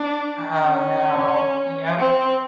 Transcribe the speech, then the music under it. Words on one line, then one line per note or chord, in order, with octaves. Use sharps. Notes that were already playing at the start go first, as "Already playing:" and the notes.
Oh no, yep.
Already playing: D4
C#4
C4